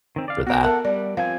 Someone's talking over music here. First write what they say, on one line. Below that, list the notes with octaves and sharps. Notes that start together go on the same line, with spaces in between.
for that?
D#3 C4
D5 F5
B3 F#4 A#4
A4 A#4 E5 F#5 A5
G3 D5
F3 C4 F5 G#5